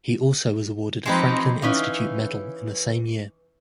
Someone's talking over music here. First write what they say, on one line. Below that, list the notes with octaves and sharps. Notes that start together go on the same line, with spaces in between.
He also was awarded a Franklin Institute Medal in the same year.
F3 G#3 C4 D#4 G4 B4
E3 C#4 D#4 F5